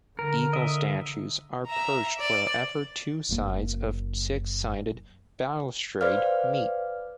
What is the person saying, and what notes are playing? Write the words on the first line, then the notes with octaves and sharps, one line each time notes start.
Eagle statues are perched wherever two sides of six-sided balustrade meet.
D3 A#4
D#5 E5
E5 A#5
D5
F#1 F#2 A#3
B4 C5 D5 F5 F6